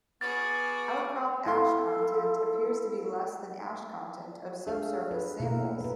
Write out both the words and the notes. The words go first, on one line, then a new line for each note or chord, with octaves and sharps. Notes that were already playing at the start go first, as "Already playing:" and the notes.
Outcrop ash content appears to be less than ash content of subsurface samples.
B3 F#4 G#4 D6 F6 A6
E4 A4 F5 C6
D4 G#4 A4 F5
B4
B2 A3 A#3 E4 A#4
A3 B4